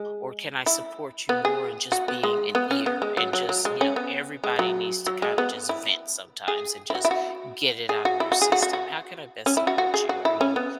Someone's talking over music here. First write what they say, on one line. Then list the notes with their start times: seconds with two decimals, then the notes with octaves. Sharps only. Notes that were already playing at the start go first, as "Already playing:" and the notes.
or can I support you more in just being an ear and just you know, everybody needs to kinda just vent sometimes and just get it outta their system. How can I best support you? Are you
Already playing: G#3
0.66 E4
1.29 B3
1.45 G#4
1.92 F#4
2.08 B3
2.23 G#3
2.55 B3
2.71 C#4
2.86 B3
3.02 G#3
3.17 F#3
3.33 F#3
3.49 F#3
3.65 G#3
3.81 C#4
3.96 B3
4.44 G#3
4.59 F#3
5.07 F#3
5.22 G#3
5.38 B3
5.69 E4
6.48 G#4
6.90 E4
6.95 F#4
7.05 E4
7.11 F#4
7.89 G#4
8.05 F#4
8.20 E4
8.32 F#4
8.42 G#4
8.52 F#4
8.62 F#4
8.73 F#4
9.46 C#4
9.57 E4
9.67 F#4
9.78 F#4
9.94 G#4
10.09 F#4
10.25 E4
10.41 C#4
10.56 B3